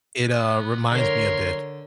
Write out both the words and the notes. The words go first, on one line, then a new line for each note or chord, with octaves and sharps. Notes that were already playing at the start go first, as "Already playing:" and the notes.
It, uh, reminds me a bit
B3
D3 A#4 C#5 C6